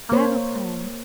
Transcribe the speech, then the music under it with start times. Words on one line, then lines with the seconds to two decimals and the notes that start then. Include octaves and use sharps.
I have a plan.
0.12 A#3 C5 C#5